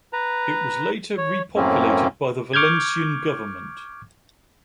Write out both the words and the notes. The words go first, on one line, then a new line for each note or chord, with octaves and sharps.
It was later repopulated by the Valencian government.
B4 A#5
C#5
F#2 A2 A#3 C4 C#4
C#6 D6 F6 G6 G#6